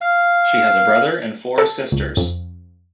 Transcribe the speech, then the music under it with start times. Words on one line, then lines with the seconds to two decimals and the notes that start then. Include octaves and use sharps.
She has a brother and four sisters.
0.01 F5
1.58 A4
1.92 C#2
2.17 F2